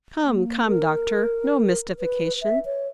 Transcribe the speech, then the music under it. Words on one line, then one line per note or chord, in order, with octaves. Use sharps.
"Come, come, Doctor, no mystification."
A#3
A#4
B4
E5
C#5